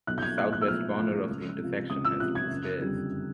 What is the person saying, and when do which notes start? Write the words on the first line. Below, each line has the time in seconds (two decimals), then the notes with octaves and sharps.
The southwest corner of the intersection has two stairs.
0.07 B1 F#6
0.18 G6
0.22 G#6
0.38 A2 F3 F#6
0.53 F#6
0.62 E6
0.68 B1 F6
0.98 A2 F3
1.29 C#2
1.60 C3 F3
1.90 C#2 D#6
2.05 E6
2.20 C3 F3 F#6
2.35 G#6
2.51 F#1
2.81 F2 D3 G3